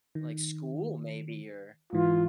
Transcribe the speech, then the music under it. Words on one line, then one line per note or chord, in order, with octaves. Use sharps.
Like, school maybe or
D#3
G#2 E3 F4